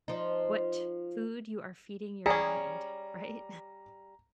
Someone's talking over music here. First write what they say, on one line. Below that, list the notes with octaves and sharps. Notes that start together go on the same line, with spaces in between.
what food you are feeding your mind. Right?
F3 D#4
G3 C#4 G#4 D5 A#5 C#7